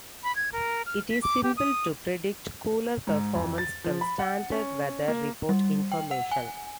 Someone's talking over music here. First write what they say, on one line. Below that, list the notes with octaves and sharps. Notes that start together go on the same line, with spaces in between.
It is simple to predict cooler performance from standard weather report information.
B5
G#6
A#4
F6
B6
D6
G4
D#6
G#2
F2
A6
F3
B5
F#5
C#4
A#3
G3
G5
F#5
G#5